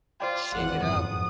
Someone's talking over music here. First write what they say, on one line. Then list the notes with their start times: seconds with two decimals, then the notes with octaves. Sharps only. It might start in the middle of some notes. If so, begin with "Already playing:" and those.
Shake it up.
0.20 F4 C5 D5 G5
0.54 G#1 E2 E3 F#5
0.83 F#1 F2 G#2 F3 F#3 D#6